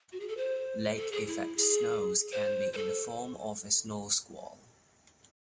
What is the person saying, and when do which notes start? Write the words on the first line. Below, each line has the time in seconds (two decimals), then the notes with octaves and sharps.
Lake effect snows can be in the form of a snow squall.
0.12 F#4
0.20 G#4
0.28 A4
0.37 C5
0.96 A4
1.12 G#4
1.27 E4
1.57 G#4
2.32 C5
2.73 C5
2.77 A4